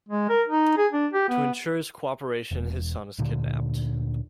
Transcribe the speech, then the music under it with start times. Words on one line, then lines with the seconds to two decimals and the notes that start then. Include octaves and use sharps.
To ensure his cooperation, his son is kidnapped.
0.09 G#3
0.29 A#4
0.48 D#4
0.77 G#4
0.92 D4
1.13 G4
1.29 B3
2.51 E1
3.19 D2 A#2 D3